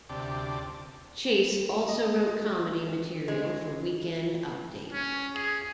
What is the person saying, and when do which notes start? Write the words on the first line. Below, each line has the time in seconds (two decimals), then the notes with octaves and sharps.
Chase also wrote comedy material for Weekend Update.
0.09 D2 C3 G4 D5 A5
1.89 D#5
3.28 G#3
4.93 C#4
5.35 G#4